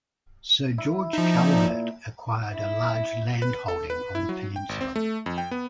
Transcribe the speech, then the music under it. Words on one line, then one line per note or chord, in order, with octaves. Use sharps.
Sir George Calvert acquired a large land holding on the peninsula.
E4
F3 D#4
A#2
E4
B4
A4
B4
E4
F#3
G5
G#1
C4
A3
F2
G5
B3